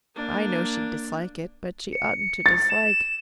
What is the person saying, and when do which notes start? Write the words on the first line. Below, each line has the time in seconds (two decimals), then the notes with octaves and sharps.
I know she'd dislike it, but she oughtn't to dislike.
0.15 A#3 D4
1.93 C#7
2.46 A6
2.70 E7